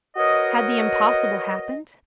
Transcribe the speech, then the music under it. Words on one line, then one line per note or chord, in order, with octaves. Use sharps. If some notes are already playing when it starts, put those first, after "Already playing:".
Had the impossible happened?
F#4 A#4 B4 C#5 D#5